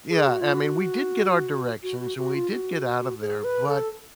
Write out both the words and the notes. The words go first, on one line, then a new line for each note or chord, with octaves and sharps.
yeah, I mean, we did get our directions and we did get out of there, but
G#4
F#4
F4
F#4
F#4
F#4
F#4
F4
F#4
G#4
B4
A4